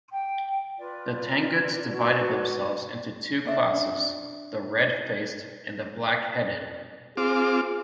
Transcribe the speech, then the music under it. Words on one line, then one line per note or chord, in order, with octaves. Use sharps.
The Tanguts divided themselves into two classes: the "Red Faced" and the "Black Headed".
G5
F4 B4 D5
D4 F#4 B4
D4 D5 E5
C4 F4 G#4 D6